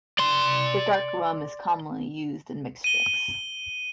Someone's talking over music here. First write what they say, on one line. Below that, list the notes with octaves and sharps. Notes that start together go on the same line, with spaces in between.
The dark rum is commonly used in mixed drinks.
D5 C6
D#7 G7